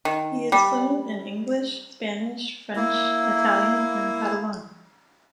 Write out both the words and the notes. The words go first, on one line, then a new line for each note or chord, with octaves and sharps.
He is fluent in English, Spanish, French, Italian and Catalan.
D#3
G3
A#3 E4